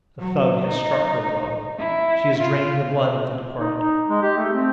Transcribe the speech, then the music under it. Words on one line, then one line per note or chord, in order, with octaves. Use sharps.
The thug has struck her blow; she is draining the blood of the departed.
F#3
D#4
E4
F4
D#4
D#4
G#3
G4
A3
C4